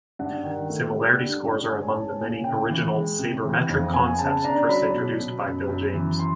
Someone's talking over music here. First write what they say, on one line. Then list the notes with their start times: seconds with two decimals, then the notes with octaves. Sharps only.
Similarity scores are among the many original sabermetric concepts first introduced by Bill James.
0.19 G2 F#5
0.44 D#3
0.70 A3
0.94 G3
1.20 D3
1.44 G2
1.69 C#4 G#5
1.94 C#4 A5
2.20 A#2 G#5
2.44 C#3 G5
2.69 E3
2.95 G#3
3.19 C3
3.44 E3
3.69 F2
3.94 B3 G#5
4.19 C#3 A5
4.44 D4 A#5
4.69 F#3 B5
4.94 B2
5.20 B2
5.44 F#2
5.69 F#2
5.94 E3
6.19 C6